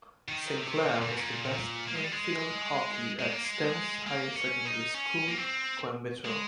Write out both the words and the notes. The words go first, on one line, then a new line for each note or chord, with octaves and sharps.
Sinclair was the best in Field Hockey at Stanes Higher Secondary School, Coimbatore.
D#3
C3
A#2
G#2
A#2
A#2
A#3
G#3
G3
G#3
G#3
A#3
G#3
A#3
C#4
D#4
C#4
A#3
C4
G#3